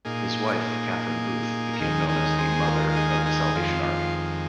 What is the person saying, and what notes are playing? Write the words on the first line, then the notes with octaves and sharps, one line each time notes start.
His wife, Catherine Booth, became known as the "Mother" of The Salvation Army.
A#2 A#3 D#4 G#4
A#4
D#2 D#3 G#3 D#4 G#4
D#4 G#4
G#4 C5
F4 A#4
F4
D#4 G#4
D#4
F4
D#4 G#4
F2 D#3 G#3 F4
F4